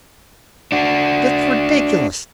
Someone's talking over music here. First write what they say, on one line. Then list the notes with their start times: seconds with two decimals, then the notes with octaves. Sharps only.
That's ridiculous.
0.72 D4 F#4